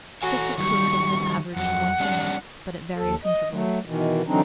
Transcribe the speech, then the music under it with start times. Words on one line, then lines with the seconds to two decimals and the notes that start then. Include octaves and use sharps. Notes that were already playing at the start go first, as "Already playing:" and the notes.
The fits occurred, on an average, once a month, but at various intervals.
0.23 F#4 A4 C#5 G#5
0.58 D#3 F#3 G3 C#6
1.57 F2 F#3 F#5
2.00 G3 C#4 D4
2.97 D#2 A4
3.25 D#5
3.51 F#3 A3
3.86 B2 D#3 E3
4.27 D3 E3 F#3 C4 D4 D#4